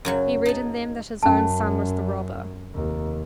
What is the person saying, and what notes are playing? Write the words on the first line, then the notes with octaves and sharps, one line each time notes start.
He read in them that his own son was the robber.
F#2 C#3 F#3
D#4 A5
F#2 C#4 A5
F1 D#2